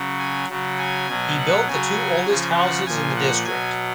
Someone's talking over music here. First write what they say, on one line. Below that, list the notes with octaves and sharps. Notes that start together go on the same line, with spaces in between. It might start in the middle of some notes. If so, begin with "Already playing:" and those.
He built the two oldest houses in the district.
Already playing: C#3 F#3
G#5
C#3 F#3
G#5
B2 F#3
F#5
C#3 F#3 G#5
C#3 F3
F#5
A#2 F3 G#5
F#5
B2 F#3 G#5